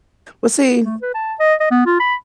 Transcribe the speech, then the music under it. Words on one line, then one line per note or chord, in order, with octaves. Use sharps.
well, see,
A3
B4
A5
D#5
D#5
B3
F4
B5